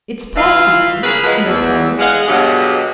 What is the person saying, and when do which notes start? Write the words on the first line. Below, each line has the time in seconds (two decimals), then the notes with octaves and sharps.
"It's Paul speaking," he replied.
0.36 E3 F4 B4 E5 F5
1.02 C#3 A#3 G#4 B4
1.24 F3 F#3 G#3 B4
1.45 E2
1.99 G#3 G#4 D#5 F5 F#5
2.28 G2 B2 F#3 G#3 A#3 B3